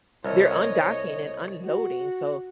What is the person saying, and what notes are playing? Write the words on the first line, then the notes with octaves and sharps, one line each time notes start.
they're undocking and unloading, so
C2 C#5 D#5
F#4